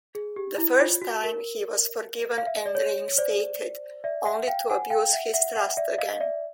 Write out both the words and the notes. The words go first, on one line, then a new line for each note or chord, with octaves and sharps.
The first time he was forgiven and reinstated, only to abuse his trust again.
G#4
G4
E4
F4
F#4
A#4
F5
E5
D#5
D5
C#5
C5 D5
D5 E5
E5 F#5
F5 G5
F#5 G#5
F5 G5
E5 F#5
E5 F#5
E5 F#5
D5 E5
D#5 F5
D#5
D5 E5